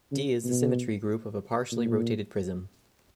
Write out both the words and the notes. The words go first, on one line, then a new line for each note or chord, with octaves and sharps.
"D" is the symmetry group of a partially rotated prism.
C#3
B2
A#2